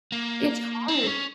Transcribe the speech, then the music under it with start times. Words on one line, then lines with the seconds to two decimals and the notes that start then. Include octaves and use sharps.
It's hard,
0.12 A#3
0.88 C4
1.06 C#4